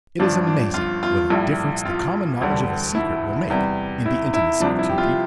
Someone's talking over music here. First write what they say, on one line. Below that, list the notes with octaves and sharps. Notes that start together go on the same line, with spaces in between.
It is amazing what a difference the common knowledge of a secret will make in the intimacy of two people.
G1 G2 F3 D4
D4
F4
F4
A#1 A2 G3
F4
E1 D2 D3 G3
E4
E2 C3 G3
E4
E4
C2 C3 F3 D4
E4
G4
F4